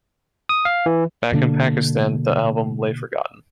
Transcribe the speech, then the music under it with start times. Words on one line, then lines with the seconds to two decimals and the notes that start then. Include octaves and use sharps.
Back in Pakistan, the album lay forgotten.
0.49 D#6
0.65 F5
0.86 E3
1.32 B2 D3 A#3 D4